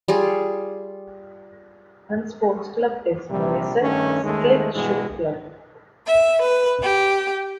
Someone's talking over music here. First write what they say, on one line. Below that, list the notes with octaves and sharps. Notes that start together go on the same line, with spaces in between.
One sports club is Neusser Schlittschuh-Klub.
G3 F4 G#4
A#1 C3 G3
G2 D#3 A3 C#4
D#2 D#3 G#3 A3
G2 B2 E3 G#3
E5
B4
G4